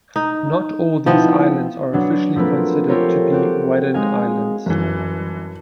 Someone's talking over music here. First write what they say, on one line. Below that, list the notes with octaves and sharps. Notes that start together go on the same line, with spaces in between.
Not all these islands are officially considered to be Wadden Islands.
D#4
F3 B3 C4 D#4 E4
F#3 B3 D4
F3 A3 A#3 C4 B4
F4 G4 A4 A#4 C5 C#5
C4 F#4 G4
G#3 D#4 F5 G#5
G1 F#2 E3